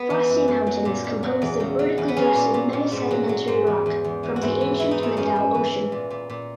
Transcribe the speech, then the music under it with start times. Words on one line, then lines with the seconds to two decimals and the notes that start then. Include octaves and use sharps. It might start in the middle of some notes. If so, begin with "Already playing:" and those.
Frosty Mountain is composed of vertically thrusted metasedimentary rock from the ancient Methow Ocean.
Already playing: B3
0.10 E3
0.29 F#2
0.48 F#2
0.67 F#3
0.85 A#2
1.04 A#2
1.23 F#3
1.42 E2
1.60 C#3
1.79 F#3
1.98 E2
2.08 B3
2.17 F#3 C#4
2.36 A#2
2.54 A#2
2.73 A#2
2.92 G#2
3.11 F#3
3.29 F#3
3.48 G#2
3.67 E2
3.86 E2
4.04 E2
4.23 E3
4.36 F#4
4.41 G#2 E4
4.61 E3
4.79 E3 E4
4.91 D#4
4.99 G#2 E4
5.17 F#2 C#4
5.36 F#2
5.54 E3
5.73 E3
5.92 A#2
6.11 A#2
6.30 A#2